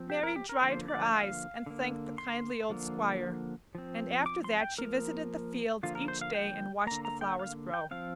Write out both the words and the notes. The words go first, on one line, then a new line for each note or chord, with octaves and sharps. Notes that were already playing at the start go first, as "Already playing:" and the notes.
Mary dried her eyes and thanked the kindly old Squire, and after that she visited the fields each day and watched the flowers grow.
Already playing: F3 C4
G4
A#4
G4
A#4
D3 F3 A#3 C5
D5
F5
D3 A#3
C6
D3 F3 A#3
F3 C4
D6
C6
G5
F3 A#3 A#4
D3 F3 A#3 F4
A#4
C5
F5
G5
D3 A#3 A#5
A#5
G5
F5
G5
F3 C4 F5